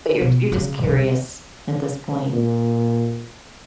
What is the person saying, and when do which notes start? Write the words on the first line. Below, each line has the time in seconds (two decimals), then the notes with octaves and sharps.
But you're you're just curious at this point.
0.21 B2
0.52 C#3
0.84 C2
2.32 A#2